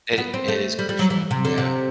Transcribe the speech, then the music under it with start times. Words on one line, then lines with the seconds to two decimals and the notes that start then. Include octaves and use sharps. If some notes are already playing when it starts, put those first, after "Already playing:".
It i it is crucial. Yeah.
0.12 A3
0.18 B3
0.34 C4
0.48 A3
0.79 G3
0.89 G3
0.99 F#3
1.10 E3
1.31 C3
1.45 D3
1.58 C3